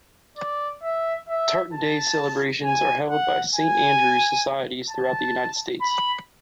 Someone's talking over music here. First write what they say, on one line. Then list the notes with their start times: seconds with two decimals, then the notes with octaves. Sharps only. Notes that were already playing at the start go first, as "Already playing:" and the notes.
Tartan Day celebrations are held by Saint Andrew's Societies throughout the United States.
0.38 D5
0.83 E5
1.28 E5
1.74 A5
2.64 G#5
3.09 F#5
3.55 G#5
4.90 A5
5.81 B5